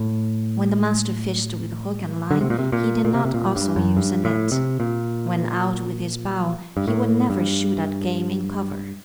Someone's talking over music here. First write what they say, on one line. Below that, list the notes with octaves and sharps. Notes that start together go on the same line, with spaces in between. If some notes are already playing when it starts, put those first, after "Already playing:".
When the Master fished with hook and line, he did not also use a net. When out with his bow, he would never shoot at game in cover.
Already playing: A2
D3
C3
A#2
C3
A#2
A#2
C3
C3
A#2
G2
F#2
G2
A2
C3
A#2
G2
A2
G2